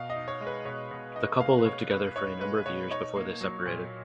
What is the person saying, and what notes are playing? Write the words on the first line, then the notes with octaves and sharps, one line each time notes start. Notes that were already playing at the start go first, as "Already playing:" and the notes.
The couple lived together for a number of years before they separated.
Already playing: B2 F5
D#5
D#4
C#5
G#3
B4
B2 C#5
B2
D#4 D#5
G#3 F5
B4
B2 C#5
B2 B4
D#4 C#5
G#3 B4
B2 C#5
D#4 C#5
A#3
F#3
A#2